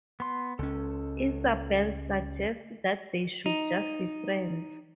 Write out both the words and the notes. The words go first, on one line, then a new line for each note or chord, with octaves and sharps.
Isabelle suggests that they should just be friends.
B3 C6
C#2 C#4 A4
D#4